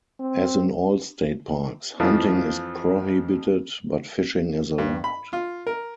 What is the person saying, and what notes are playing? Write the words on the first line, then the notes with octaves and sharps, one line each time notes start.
As in all state parks, hunting is prohibited, but fishing is allowed.
C4
F2 E3 F3
G2
B5
F4
A#4